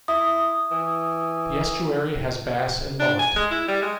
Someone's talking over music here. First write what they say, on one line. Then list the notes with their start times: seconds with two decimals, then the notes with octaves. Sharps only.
The estuary has bass and mullet.
0.08 E4 D#6
0.71 E3
3.00 D4
3.19 G#5
3.36 G#3
3.51 E4
3.68 G3
3.82 G#3